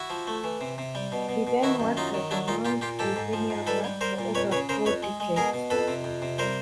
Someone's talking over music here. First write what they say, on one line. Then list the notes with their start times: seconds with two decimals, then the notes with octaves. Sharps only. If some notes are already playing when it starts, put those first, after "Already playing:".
He then worked at the Mount Lavinia bar for over four decades.
Already playing: E4 F#4
0.10 F3
0.27 A3
0.44 E3
0.61 C3
0.78 C3
0.95 G3
1.12 B2
1.29 B2
1.47 B2
1.63 D#3 E4 F#4
1.80 F#2
1.97 F#3 D#4 F4
2.14 D#3
2.31 F#3 D4 E4
2.48 A#2 D#4 F4
2.65 A#2 F4 G4
2.81 A#2 F4 G4
2.99 G#2 G4 A4
3.16 G#2
3.33 F3
3.50 G#2
3.67 G3 A4 B4
3.84 G3
4.01 G3 A#4 C5
4.19 A#2
4.35 F2 B4 C#5
4.52 C#3 B4 C#5
4.69 C#3 A#4 C5
4.85 F2 B4 C#5
5.03 G#3
5.20 G#3
5.36 B2 G#4 A#4
5.54 B2
5.70 F2 A4 B4
5.88 C3
6.04 F2
6.22 C3
6.38 G3 A#4 C5